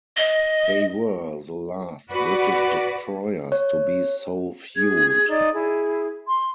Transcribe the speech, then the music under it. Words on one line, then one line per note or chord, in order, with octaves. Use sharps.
They were the last British destroyers to be so fueled.
D#5
F#4 B4 D5
C#5
G#4 G#6
D#4 D5
E4 G#4
C6